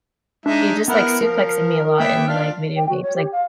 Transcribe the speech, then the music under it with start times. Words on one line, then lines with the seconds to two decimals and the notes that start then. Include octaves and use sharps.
he's just, like, suplexing me a lot in, like, video games, like
0.46 G#3 D4 D#4 E5
0.88 B3 E4 A#4 F#5
1.21 F3 A#4
2.00 A#3 B3 E5 G5
2.28 D4 F4 F6
2.76 G5
2.89 F#4
3.03 C#5
3.16 G4
3.32 F5